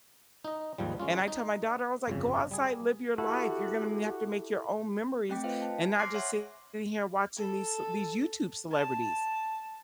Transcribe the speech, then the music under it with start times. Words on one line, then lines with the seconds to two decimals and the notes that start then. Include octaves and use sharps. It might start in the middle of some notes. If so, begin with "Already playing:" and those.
And I tell my daughter, I was like, "Go outside, live your life, you're gonna have to make your own memories and not just sitting here watching these ce these YouTube celebrities."
0.45 D#4 D#5
0.78 D#2 G#2 F3 G3
1.00 G#3 C#4 F4
1.28 D#4
2.08 G1 F2 C#3
2.51 G3 G#4
3.18 E4 F#4 G4 A4
5.29 A3 C4 G5 D6 B6
5.44 F4 B4 C5 D#5 F5 G5
5.62 A5
5.81 G#5
5.99 C6 D6 F6 F#6 A#6 C7
6.14 C#5 E5 F#5 G#5 C6
7.37 A4
8.71 A5